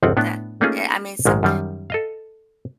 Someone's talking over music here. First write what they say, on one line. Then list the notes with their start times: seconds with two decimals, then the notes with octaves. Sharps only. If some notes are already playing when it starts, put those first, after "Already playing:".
that eh, I mean, somet
0.03 G1 C#2 F3 C4 F#5
0.17 A2 B3 D4
0.61 A3 A#3 C#4 D#4 F4 G#4
1.25 A#1 G#2 D#3 G#3
1.43 F#2 D#3 G3
1.90 A4 D#5 F5